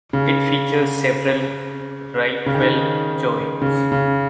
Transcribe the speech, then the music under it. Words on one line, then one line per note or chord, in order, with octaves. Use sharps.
It features several Rietveld joints.
C#3
C#3
D#3
C#3
C#3
C#3